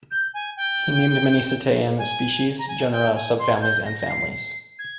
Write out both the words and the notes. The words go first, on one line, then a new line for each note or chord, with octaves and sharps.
He named many cetacean species, genera, subfamilies, and families.
G6
G#5
G5
G#5
A#5
G#5
G5
G#5
C6
G#6
G6
A#6
A#6
C7
G#6